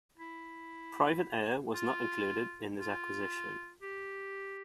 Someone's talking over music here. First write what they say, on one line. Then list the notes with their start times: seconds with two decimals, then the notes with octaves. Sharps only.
"Private Air" was not included in this acquisition.
0.18 E4
1.74 F4
2.78 F4
3.82 G4